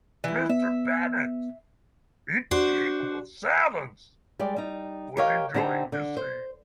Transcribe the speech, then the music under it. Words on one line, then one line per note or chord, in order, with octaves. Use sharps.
Mr. Bennet, in equal silence, was enjoying the scene.
E3 E4
B3 E5
D4 F#4 C5
G3 G#3 D5
G3 D#4
G4 A#4 C#5 D#5 F5
D3 C4 D#4 G4 C5
D3
C5